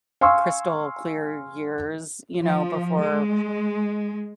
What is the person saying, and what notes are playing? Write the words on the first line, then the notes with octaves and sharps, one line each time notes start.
crystal clear years," you know, before
F5 G#5 C6 C#6 E6
F3
G#3